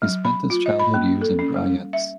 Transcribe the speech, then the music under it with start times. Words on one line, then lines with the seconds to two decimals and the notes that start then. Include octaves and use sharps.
He spent his childhood years in Grojec.
0.02 F#3
0.25 B5
0.50 F4
0.66 D#5
0.79 B5
0.94 A#3
1.21 A4
1.39 C#4
1.56 G3
1.93 E5